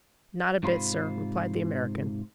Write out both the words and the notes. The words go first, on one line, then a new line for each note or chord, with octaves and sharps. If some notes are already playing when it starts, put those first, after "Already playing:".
"Not a bit, sir," replied the American.
G#2 C3 F4 C5 B5